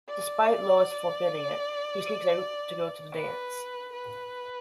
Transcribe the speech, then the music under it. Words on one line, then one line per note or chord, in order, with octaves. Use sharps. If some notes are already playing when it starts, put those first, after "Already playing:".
Despite Lois forbidding it, he sneaks out to go to the dance.
D5
B4
B4